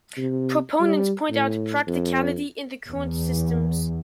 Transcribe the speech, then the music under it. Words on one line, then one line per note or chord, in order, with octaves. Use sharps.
Proponents point out practicality in the current systems.
C3
G3
A2
F2
E2